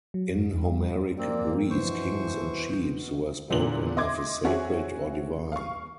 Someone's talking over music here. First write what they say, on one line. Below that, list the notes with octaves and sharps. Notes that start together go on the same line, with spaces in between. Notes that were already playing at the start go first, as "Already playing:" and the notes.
In Homeric Greece kings and chiefs were spoken of as sacred or divine.
F#3
F#2
E2
G3
G2 F3 A#3 C4 D5
B2 E3 C5 C#6
E2 A#2 D3 F#7
D#5 E5 C6 D6 G#6
C4 C#4 F#4 G#4 C#5 E5
F5 C#6